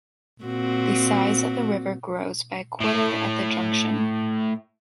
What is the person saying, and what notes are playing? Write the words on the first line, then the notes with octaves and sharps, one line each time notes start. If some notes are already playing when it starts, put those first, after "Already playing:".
The size of the river grows by a quarter at the junction.
A#2 C4 F#4
A2 A3